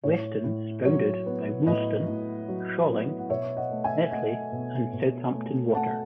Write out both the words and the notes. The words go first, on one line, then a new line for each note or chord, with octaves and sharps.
Weston is bounded by Woolston, Sholing, Netley and Southampton Water.
A2 C#5
A2
F#3 C#5
B3
A2 B4 D#5
A2
F#3
B3
F#5
B2 C#5 E5
D#5 F#5
A3
E5 G#5
A3 D#5 F#5
B2
B2
A3
A3 F#5 A5